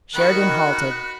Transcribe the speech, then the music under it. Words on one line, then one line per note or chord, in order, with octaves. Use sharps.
Sheridan halted.
D#3 F#4 B5 F#6